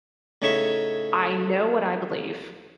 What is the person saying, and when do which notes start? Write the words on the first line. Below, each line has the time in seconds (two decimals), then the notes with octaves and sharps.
I know what I believe.
0.42 A2 C#3 D#4 C#5 E5 C#6